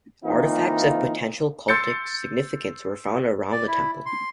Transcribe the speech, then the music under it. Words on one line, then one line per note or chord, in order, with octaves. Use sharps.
Artifacts of potential cultic significance were found around the temple.
E3 A#3 C4 D#4 F4
C6 E6 G6 A6 C#7
D5
E4
C6